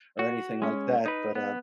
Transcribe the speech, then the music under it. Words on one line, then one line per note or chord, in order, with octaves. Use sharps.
or anything like that, but, uh
F#4
G#3 C#4
D#4 B4
B3